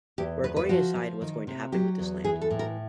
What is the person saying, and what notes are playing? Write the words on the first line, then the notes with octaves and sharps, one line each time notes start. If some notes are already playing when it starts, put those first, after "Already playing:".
We're going to decide what's going to happen with this land.
E2 G4
E2 B4
B4
F3 F#4
F3
D#3
C3
F#3 G4
E2
E3 G#4
A4
A2
A#4